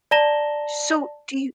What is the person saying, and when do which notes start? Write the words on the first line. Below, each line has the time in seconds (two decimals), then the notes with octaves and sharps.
So, do you
0.11 D5 A5 A#5 A#6 E7 G7